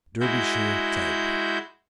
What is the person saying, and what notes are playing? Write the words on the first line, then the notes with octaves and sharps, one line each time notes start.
Derbyshire type.
G#3 E4 F#4 G6